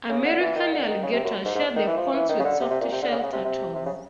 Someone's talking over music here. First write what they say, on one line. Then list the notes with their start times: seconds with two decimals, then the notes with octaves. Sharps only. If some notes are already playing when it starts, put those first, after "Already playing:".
American alligators share the ponds with softshell turtles.
0.09 C#3
0.24 D3
0.40 E3
0.55 D#3
0.72 D3
0.88 D#3
1.03 C#3
1.13 C3
1.24 F#2
1.45 G#2
1.55 G#2
1.76 D#3
1.87 E3
1.97 F3
2.13 E3
2.29 D#3
2.39 C#3
2.44 D3
2.60 C3
2.70 C3
2.81 A#2
2.92 C3
3.02 D3
3.12 C#3
3.19 D3
3.23 C#3
3.33 C3
3.44 C3
3.75 C3
3.86 C#3